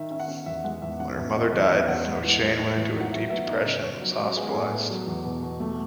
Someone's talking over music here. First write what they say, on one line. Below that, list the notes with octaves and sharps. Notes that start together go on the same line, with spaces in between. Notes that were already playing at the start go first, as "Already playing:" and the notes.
When her mother died O'Shane went into a deep depression and was hospitalised.
Already playing: D#3 E5
C#4 E5
F#5
C#4
E2 E5
G#3 F#5
E2 E5
C#4 F#5
B2 E5
C#4 D#5
E2 D#5
E2 D#5
E2 F#5
G#3
E3
G#3
A2
E3
D#4
F#5
F#3 E5
B3 E5
D#4 E5
C#3 D#5
B3 C#5
F#3
G#3 F#4
B3 G#4
G#4
A2 A4
B3
F#3
E2
B2
B2
A3